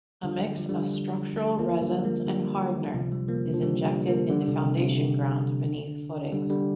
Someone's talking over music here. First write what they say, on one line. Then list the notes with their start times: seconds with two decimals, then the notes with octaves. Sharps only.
A mix of structural resins and hardener is injected into foundation ground beneath footings.
0.23 D3 G3
0.57 F3
0.69 D3 G3
1.59 F3 A#3
1.81 D3 G3
2.04 F3 A#3
2.26 D3 G3
2.88 D3
2.94 C3 F3
3.12 D3 G3
3.28 F3 A#3
3.46 D3
3.54 F3
3.63 D3 G3
3.85 D3 G3
4.07 F3 A#3
4.29 D3 G3
4.42 G3
4.47 C3 F3
4.63 C3
4.81 C3
4.98 D3
6.33 D3 G3
6.50 D3 G3